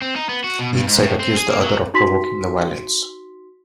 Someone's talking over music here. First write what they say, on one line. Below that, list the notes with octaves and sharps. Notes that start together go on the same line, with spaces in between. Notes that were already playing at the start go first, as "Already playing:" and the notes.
Each side accused the other of provoking the violence.
C4
D#4
B3
F#4
B2
G2
G#2
A2
C4
G#4
A#3
F#3
D#4 F#4 C6 B6